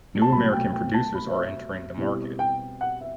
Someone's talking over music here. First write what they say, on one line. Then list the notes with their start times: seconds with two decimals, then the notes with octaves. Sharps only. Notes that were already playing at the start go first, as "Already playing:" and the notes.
New American producers are entering the market.
0.22 A5
0.32 C2 B2 F#3 A3 B5
0.53 G5
0.73 G5
0.94 A5
1.15 B5
1.28 E5
1.42 E5
1.97 B2 G3 C4 E4
2.39 G5
2.81 F#5
3.01 E5